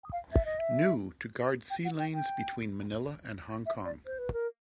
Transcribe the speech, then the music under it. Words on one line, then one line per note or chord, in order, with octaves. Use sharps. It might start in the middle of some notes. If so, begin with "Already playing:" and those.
New to guard sea lanes between Manila and Hong Kong.
F5
E5
D#5
E5
G5
F#5
G5
G5
E5
D5
C5
B4
A#4